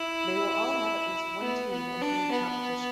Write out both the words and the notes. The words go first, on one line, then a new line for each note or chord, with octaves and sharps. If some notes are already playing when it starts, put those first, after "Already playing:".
They will all have at least one team entering the competition.
Already playing: E4
B3
B3
D4
B3